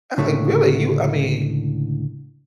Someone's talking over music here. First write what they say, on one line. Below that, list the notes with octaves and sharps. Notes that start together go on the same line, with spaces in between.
I was like, “Really, you I mean
C#2 A2 D3 A3